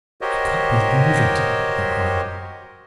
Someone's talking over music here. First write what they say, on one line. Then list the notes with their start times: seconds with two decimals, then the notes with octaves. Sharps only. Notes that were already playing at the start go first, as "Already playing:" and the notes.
"I can't believe it," I cried.
0.21 F#4 G4 A#4 C5 C#5 D#5